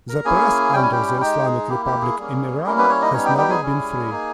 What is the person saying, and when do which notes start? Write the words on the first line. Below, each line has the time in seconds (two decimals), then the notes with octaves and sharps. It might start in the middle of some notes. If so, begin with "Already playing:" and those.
The press under the Islamic Republic in Iran has never been free.
0.09 A#4 A#5
0.25 A#3 C#4 E4 G#4 G#5
0.73 G3 C#4 E4 G5
0.83 G#5
0.91 G4 G5
1.21 G#3 D#4 G4 G5
1.46 G#4
1.69 A#3 E4 G4
1.86 G4
2.02 G#4
2.18 G3 A#3 C#4
2.66 G3 A#3 C#4 E4 A#4
2.78 B3 B4
2.90 C#4 C#5
3.02 D#4 D#5
3.13 G3 B3 C#4 D#4 C#5
3.26 G4 G5
3.38 G4 G5
3.50 G#4 G#5
3.62 G3 C#4 E4
4.10 A#3 D#4